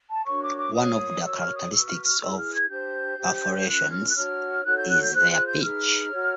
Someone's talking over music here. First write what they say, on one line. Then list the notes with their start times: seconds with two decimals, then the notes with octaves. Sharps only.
One of the characteristics of perforations is their pitch.
0.09 A5
0.24 D4 F#4 A#4 C#5 C#6
0.41 D6
0.57 D6
0.73 F4 A#4 C#5 D#6
1.23 F#4 A#4 C#5 E6
1.38 F6
1.54 D#6
1.71 F#4 B4 E6
1.83 E6
1.88 F6
2.03 F6
2.19 E4 G#4 B4 E6
2.37 F6
2.53 G#6
2.68 D4 G4 C5 G6
3.18 D4 G4 C5
3.66 C#4 F4 A#4 F#6
3.91 F6
4.09 F#6
4.15 D4 F#4 A#4 C#5 F6
4.64 D#4 F#4 A4 C#5 F#6
4.76 G6
4.89 F#6
5.01 G6
5.13 F4 G#4 C5 F#6
5.30 F#6
5.46 G6
5.62 D#4 G#4 B4 F6
6.11 F#4 A#4 C#5